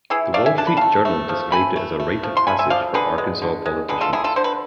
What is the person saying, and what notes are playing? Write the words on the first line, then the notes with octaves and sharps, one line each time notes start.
"The Wall Street Journal" described it as a "rite of passage" for Arkansas politicians.
E3 E4 G#4
A3 D5 F5
E5 G#5
D4 A5
B5
A3 F5 A5
A3
F3
A3 G#5 B5
A3
A3
F3
C6
A3 G#5 B5
E5 G#5
F3 D5 F5
D3 G#4 B4
G#3
D3
G#3
D3 G#4 B4
F4 A4
D3 E4 G#4
F4 A4
D3 C5
B4